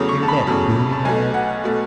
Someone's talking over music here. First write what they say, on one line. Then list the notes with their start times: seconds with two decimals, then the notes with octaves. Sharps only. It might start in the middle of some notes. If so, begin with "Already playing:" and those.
Hear that booming ahead!
Already playing: E2 C#3 F#3 A3 D#6
0.09 C#6
0.23 A5
0.28 B5
0.47 E2 C#3 F#3 A3 A5
0.93 A5
1.05 B1 B2 A3 G#5
1.34 F#5
1.64 B2 A3